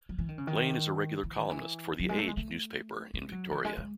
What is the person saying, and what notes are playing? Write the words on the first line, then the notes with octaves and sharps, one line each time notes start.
Lane is a regular columnist for "The Age" newspaper in Victoria.
F#3
E3
D#3
C#3
D#3
E3
D#3
E3
F#3
G#3
A3
G#3
A3
G#3
F#3
E3
G#3
G#3